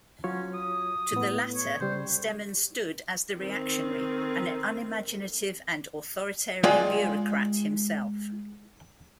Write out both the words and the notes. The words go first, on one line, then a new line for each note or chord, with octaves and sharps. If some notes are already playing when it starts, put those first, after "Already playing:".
To the latter Stemann stood as the reactionary, an unimaginative and authoritarian bureaucrat himself.
F#3 C#4 F4 C#5
D#6
A2 B3
C#5
C#3 G3 C5
D#3 C4
G#3 F4 D5 G5 G#5